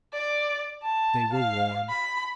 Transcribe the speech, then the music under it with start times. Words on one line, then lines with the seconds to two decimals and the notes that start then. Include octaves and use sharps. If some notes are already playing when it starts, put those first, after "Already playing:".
They were warm.
0.13 D5
0.83 A5
1.33 F5
1.89 B5